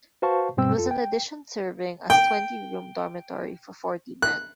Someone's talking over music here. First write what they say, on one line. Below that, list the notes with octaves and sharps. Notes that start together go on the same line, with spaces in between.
It was an addition serving as a twenty-room dormitory for forty men.
F#4 B4 C5 F5 A5 C#6
G2 B2 G3 C4 G5 E6
F2 F4 A4
G5
G5
F#6